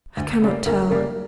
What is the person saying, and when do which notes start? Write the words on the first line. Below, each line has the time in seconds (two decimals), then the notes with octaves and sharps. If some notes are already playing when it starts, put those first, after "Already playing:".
I cannot tell.
0.17 D2
0.41 C#3 G3 A#3
0.66 D2 A#4
0.90 C#3 G3 A#3 A#4